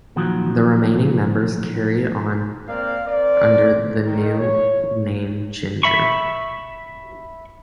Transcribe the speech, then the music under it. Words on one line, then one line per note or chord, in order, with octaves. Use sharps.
The remaining members carried on under the new name Ginger.
A#2 D#3 F3 F#3 F#4
A#3 C4 D5 F5
C4 A#4 D5
D#3
C#5
E5 B5 C#6